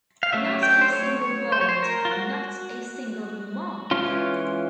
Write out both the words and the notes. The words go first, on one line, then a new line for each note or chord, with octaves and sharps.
Not a single word, not a single remark!
F5
F#3 A3 C#4 E5
G5
C5
C#5
C#5
C5
C#5
C5
A#4
F4
F#4
E3 G#3 C#4 F4